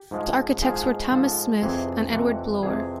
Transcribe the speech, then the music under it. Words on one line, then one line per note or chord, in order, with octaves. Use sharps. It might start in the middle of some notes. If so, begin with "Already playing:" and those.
The architects were Thomas Smith and Edward Blore.
Already playing: G4
G#2 F3 G#3
G#2 F3 G#3 G#4 G#5
G#2 F3 G#3 A4 A5
F2 C3 E3 G#4 G#5
F2 C3 E3 F#4 F#5
F2 C3 E3 G#4 G#5